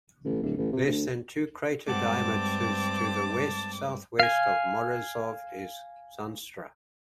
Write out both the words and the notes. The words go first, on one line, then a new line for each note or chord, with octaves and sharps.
Less than two crater diameters to the west-southwest of Morozov is Zanstra.
A1
D1
A1
C3
D2
G2 G#3 C4 F#5 G5 A5 D6
F5 G#5